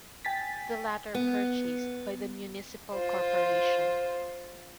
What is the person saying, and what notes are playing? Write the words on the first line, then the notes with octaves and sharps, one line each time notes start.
The latter purchased by the Municipal Corporation.
G5 G#5 A6 B6
B3
F4 C5